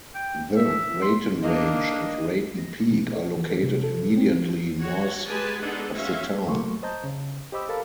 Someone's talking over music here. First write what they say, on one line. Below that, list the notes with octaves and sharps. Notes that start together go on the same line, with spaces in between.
The Raton Range and Raton Peak are located immediately north of the town.
G5
E5
C6
A#3 D4 D#5
A#6
B2
A4
E3
A4
C3
A4
C4
F3
F#4 C#5
G#3 G4 B4 G#5 A5
G#3 B3 D4 D#4 A4 F#5
G#3 C#4 F#4 E5 F5
F#3 A3 A#3 C6 C#6
C5 D#5 A5 A#5 G6
C#3
G4 C5 D#5 B5 D6 E6
A4 A#4 F5 A5 B5